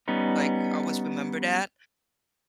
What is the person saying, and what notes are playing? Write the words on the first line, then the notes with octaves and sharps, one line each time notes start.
like, always remember that
G3 B3 C#4 D#4